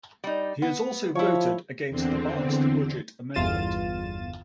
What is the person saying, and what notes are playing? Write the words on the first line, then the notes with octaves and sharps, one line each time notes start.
He has also voted against the balanced budget amendment.
G3 D#4
B3
F3 E4 C#5
E2 D3 C4
G1 E2 F4 A6 D#7 E7